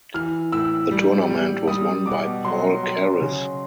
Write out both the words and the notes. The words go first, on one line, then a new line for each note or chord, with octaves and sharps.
The tournament was won by Paul Keres.
E3 F6
A2 E6
G3
G3
G3 D#6
B2 D6
F#3 C6
F#3
C#3